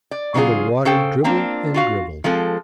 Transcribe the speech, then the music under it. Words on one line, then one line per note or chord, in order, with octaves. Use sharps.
And the water dribbled and dribbled.
D5
C#3 F#3 D#4 F4 G#4
C#3 A4 C5 G5
A#3 C4 D4 F4
F4 F#4 F5
F3 G#3 C4 A4